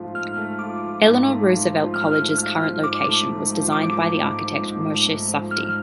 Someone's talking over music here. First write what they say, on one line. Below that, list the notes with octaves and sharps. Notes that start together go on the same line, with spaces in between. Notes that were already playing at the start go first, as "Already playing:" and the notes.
Eleanor Roosevelt College's current location was designed by the architect Moshe Safdie.
Already playing: G#2 F3 A3 F4
G#2 F6
A3
F4 D6
F3
G#2
A3
F4
F3
G#2 F6
A3
F4 F6
F3
G#2 D6
A3
G#2
F3
G#2 D6
A3
G#2
F3
G#2
A3
G#2
F3
G#2 F6